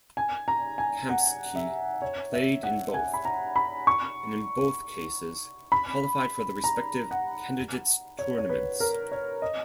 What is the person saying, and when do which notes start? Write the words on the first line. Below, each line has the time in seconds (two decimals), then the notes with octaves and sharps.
Kamsky played in both, and in both cases qualified for the respective Candidates Tournaments.
0.17 G#5
0.48 A#5
0.78 G#5
1.09 F#5
1.55 E5
2.02 C#5
2.33 E5
2.63 F#5
2.94 G#5
3.14 B5
3.25 A#5
3.56 B5
3.87 C#6
5.72 B5
6.64 A#5
7.11 F#5
8.19 C#5
8.38 C#5
8.50 B4
8.80 A#4
9.12 C#5
9.42 D#5